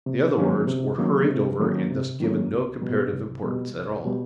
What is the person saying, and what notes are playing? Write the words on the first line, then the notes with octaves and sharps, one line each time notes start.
The other words were hurried over and thus given no comparative importance at all.
C3
D#3 F#3 A#3 C#4
C3
D#3 F#3 A#3 C#4
C3
D#3 F#3 A#3 C#4
C3
D#3 F#3 A#3 C#4
C2
B2 G3
C2
B2 G3
C2
B2 G3